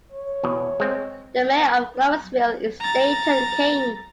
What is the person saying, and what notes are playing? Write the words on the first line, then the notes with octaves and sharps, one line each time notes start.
The mayor of Gloversville is Dayton King.
C#5
E2 B2
G#3 C4
A#5 A6